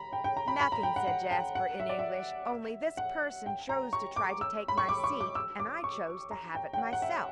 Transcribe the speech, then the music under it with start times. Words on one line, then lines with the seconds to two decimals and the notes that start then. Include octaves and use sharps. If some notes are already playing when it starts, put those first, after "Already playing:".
"Nothing," said Jasper, in English, "only this person chose to try to take my seat, and I chose to have it myself."
Already playing: A#5 B5
0.13 G5
0.24 G5
0.37 A#5
0.48 B5
0.61 B5
0.72 A#5
0.83 G5
0.96 F#5
1.08 F#5
1.31 G5
1.55 F#5
1.80 E5
1.89 D5
1.99 E5
2.97 F#5
3.46 G5
3.69 A#5
3.93 C#6
4.16 D6
4.41 E6
4.68 B5
4.78 C#6
4.89 D6
5.04 C#6
5.20 D6
5.35 E6
5.60 D6
5.84 C#6
6.31 A#5
6.55 G5
6.74 G5
6.78 F#5
6.93 F#5
7.02 E5